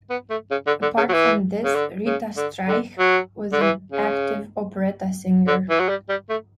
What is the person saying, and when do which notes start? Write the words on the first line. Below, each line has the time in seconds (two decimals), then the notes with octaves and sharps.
Apart from this Rita Streich was an active operetta-singer.
0.10 B3
0.30 A3
0.51 C#3
0.67 D3
0.82 D3
0.97 C#3
1.09 F#3
1.13 E3
1.64 C#3
1.75 D3
2.06 C#3
2.37 D3
2.68 D3
2.99 F#3
3.52 D3
3.61 E3
3.92 C#3
5.47 D3
5.69 E3
5.79 F#3
5.88 G3
6.09 G3
6.29 A3